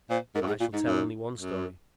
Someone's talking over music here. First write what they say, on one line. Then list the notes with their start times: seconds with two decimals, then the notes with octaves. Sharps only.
But I shall tell only one story.
0.10 A#2 C5
0.35 G#2 A#4
0.41 F#2
0.47 G#2 G#4
0.60 A#2 F4
0.73 G#2 D#4
0.85 F#2
1.35 F#2